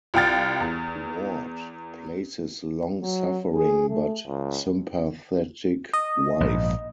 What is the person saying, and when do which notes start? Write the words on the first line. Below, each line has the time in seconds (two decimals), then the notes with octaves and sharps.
Ward plays his long-suffering but sympathetic wife.
0.14 C2 F4 F5 G5 F6 A6
0.60 E2
3.02 F#3
3.54 G#4
3.89 A3
4.27 C#2
5.93 D#5
6.41 A#1 G#2